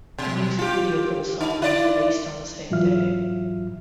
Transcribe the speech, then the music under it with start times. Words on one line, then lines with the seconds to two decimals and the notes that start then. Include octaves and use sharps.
The music video for the song was released on the same day.
0.18 B2
0.59 F4 G4
1.41 D#4
1.62 E4 D5
2.70 G#2 E3 F#3 F4 E5 F6